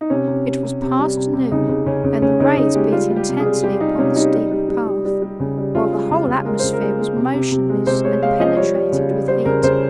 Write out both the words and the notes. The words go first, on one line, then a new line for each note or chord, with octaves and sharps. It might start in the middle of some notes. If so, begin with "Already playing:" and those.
It was past noon and the rays beat intensely upon the steep path, while the whole atmosphere was motionless and penetrated with heat.
D#4
C3 C#4
C3
C3
C3
C3
G3
C3
C3
C#3 D#4
C#3
C#3 C#4
C#3
C#3 C#4
C#3 D#4
C#3 D#4
G#3 G4
G3 F4
G3
G4
C3
G#4
G3
G3 G4
G3 D#4
C3 C#4
G3 D#4
G3
G3
G3
G3
G3
G3
C#3
G3
C#3 F4
G#3
C#3 G4
C#3
G#3 A#4
C#3 C5
A#4
G#3
G#3
C3
C3
C3
G#3
C3 C5
G#3 C#5
G#3 F5
F3 D#5
G3 C#5
G3
C#3
G3
G3 C5
C#3 A#4
C#3 C5